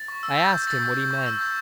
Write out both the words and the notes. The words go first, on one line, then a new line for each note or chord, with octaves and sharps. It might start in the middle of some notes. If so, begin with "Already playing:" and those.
I asked him what he meant.
Already playing: A6
C#6
E6
G6
G6
E6 A6
G6
G6
C#6
E6
G6